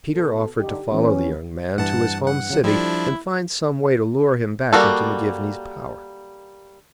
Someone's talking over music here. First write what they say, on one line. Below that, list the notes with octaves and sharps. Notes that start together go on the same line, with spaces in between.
Peter offered to follow the young man to his home city, and find some way to lure him back into McGivney's power.
B2 A4
D3 G3 D#4 G4
E3 B3 C#4
G2 E3 F#5 A5
F#5
C#3 F#3
F3 G3 D4 E4 A4 E5
G3 A#3 F#4 A4